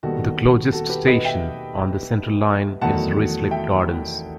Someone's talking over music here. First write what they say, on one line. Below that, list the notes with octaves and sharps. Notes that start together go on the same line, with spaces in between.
The closest station on the Central line is Ruislip Gardens.
D#2 D#3 G3 B3 F#4 A4
F#4 A4
G4 B4
B4 D#5
E5 G5
E2 D#3 F#3 A3 F#5 A5
E5 G5